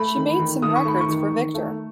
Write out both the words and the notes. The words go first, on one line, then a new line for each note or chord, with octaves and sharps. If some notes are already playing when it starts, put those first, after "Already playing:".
She made some records for Victor.
Already playing: A3 B5
D#3
D#3
D#3 D#6
C#6
A3 B5
C#6
D#3
D#3
A3